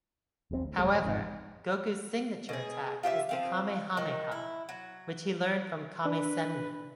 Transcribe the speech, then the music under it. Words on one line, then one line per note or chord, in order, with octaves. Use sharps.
However, Goku's signature attack is the "Kamehameha", which he learned from Kame-Sen'nin.
E1 B1 A2 C4
D2
F1 C2 F#3 G#3
D#1 E2
G#1 F2 G#2
B2 G#4
F4 G4 C5 E5
F3 C4 F5
D#3
E4
F#3
D4 B4